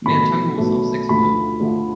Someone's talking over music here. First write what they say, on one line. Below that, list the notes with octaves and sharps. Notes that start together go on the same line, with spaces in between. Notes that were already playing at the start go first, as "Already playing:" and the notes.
Mehr Tangos auf sechs Uhr.
B1 B2 F#3 A3 B5
B1 B2 F#3 A3
D2 D3 F3 A3 B5
D2 D3 F3 A3